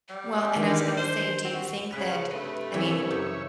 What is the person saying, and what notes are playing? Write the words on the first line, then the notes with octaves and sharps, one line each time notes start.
Well and I was gonna say, do you think that, I mean,
G3
D#3 E3 D4
C5
C4 F#4
C#3 B4
G2 C3 A3 B4 D#5
C2 C#3 E3 C#5 E5
F#2 D#4